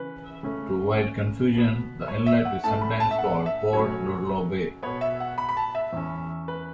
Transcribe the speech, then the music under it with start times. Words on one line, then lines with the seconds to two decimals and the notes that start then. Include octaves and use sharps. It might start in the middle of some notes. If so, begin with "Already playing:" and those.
To avoid confusion the inlet is sometimes called Port Ludlow Bay.
Already playing: C#3 E3 C#4 B4
0.43 C#3 A3 C#4
1.53 B2 B3
2.08 C#5
2.26 E5
2.45 F#5
2.64 A2 A3 C#4 A5
2.81 B5
3.00 A5
3.11 E5
3.18 F#5
3.46 E5
3.73 B2 F#3 A3 C#4 C#5
4.83 B2 B3 C#5
5.01 E5
5.20 F#5
5.38 B5
5.49 B5
5.57 A5
5.75 E5
5.93 E2 E3 C#4
6.48 B4